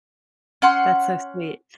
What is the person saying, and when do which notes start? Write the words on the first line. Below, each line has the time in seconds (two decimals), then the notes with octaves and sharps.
That's so sweet.
0.62 C#4 F#5 C6